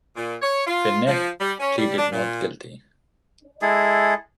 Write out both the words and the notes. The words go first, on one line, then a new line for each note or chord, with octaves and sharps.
Fenech pleaded not guilty.
A#2
C#5
F4
F3
G3
C#4
G3
D4
A#2
G#3 E4 G#4 A4